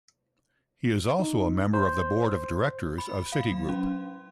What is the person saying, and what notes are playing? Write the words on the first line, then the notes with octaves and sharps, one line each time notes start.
He is also a member of the Board of Directors of Citigroup.
D#4
C5
B5
F5
F#3
C#4